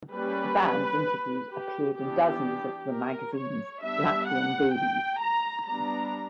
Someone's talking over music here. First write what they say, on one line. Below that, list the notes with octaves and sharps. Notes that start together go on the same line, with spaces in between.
The bands interviews appeared in dozens of the magazines, Latvian dailies.
G3 A#3 C#4 B4
G4
E3 B3 D4 G4
A#4
C#5
G3 B3 D4 E5
F#5
G5
A#5
G3 B3 D4 A#5